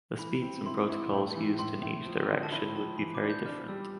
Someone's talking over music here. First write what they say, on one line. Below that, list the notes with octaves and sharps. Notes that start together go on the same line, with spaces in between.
The speeds and protocols used in each direction would be very different.
E3 B5
C4
E4 C6
E4
A2
E3
A2 C6
A2
F3
D3
A5
E4 B5
F3 A5
E3 B5
D6
D4
G6
D4 F6
G3 E6